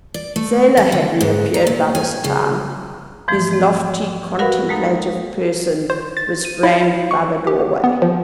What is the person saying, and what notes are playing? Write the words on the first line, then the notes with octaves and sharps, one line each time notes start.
Selah had reappeared by this time; his lofty, contemplative person was framed by the doorway.
D5
A3
A4
D3
G#2
A#5
A#2
G#5
C#3
G#2 E3 F3 A3
A3 C4
F#4 A#4 B4 F5 F#5 B5
G#3 A#3 D#4 A4
C5
A6
D#7
E4
C#6
G4
B3
F3